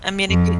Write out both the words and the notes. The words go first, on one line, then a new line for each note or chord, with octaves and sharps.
I mean, it could
F2